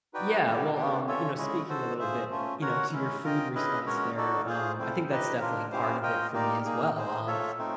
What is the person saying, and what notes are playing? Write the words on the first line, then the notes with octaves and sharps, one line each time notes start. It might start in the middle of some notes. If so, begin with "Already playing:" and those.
Yeah. Well, um, you know, speaking a little bit, you know, to your food response there, um, I think that's definitely part of it for me as well, um,
D#4 F#4 B4 D5 G5
G#3 B3 E4 G4
B3 D4 G4
C#4 F4 A4 C#5 E5
G#3 C#4 E4 G#4
F#4 A4 C5
F4 G#4 C5 E5
A3 C#4 F4
F#4 A#4 C#5 F#5
G#3 C#4 E4
F4 A#4 D#5 G5
C#4 E4 G#4 B4 D#5
G#3 C#4 F#4 A#4 C#5
D#4 F#4 A4 D5
F4 G#4 C5
C4 E4 A4 C5
D#4 G4 B4 D#5
D4 F4 A#4
C#4 E4 G4 C5 F5
F4 A#4 D#5 G5
A#3 D#4 G4 A#4 D5
A#3 D#4 G#4
D#4 G#4 C5
F4 A4 C#5 E5
A3 C4 D#4